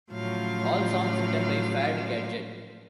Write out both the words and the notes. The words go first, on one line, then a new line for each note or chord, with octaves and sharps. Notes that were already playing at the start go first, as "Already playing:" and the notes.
All songs written by Fad Gadget.
A2 C#3 F3 F#3 F5